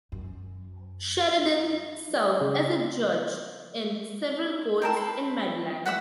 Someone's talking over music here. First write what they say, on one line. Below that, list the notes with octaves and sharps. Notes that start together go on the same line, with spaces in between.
Sheredine served as a judge in several courts in Maryland.
F#2
C#3
C4 A#4 A5
B4 C6
F#4 E5 F#5 E6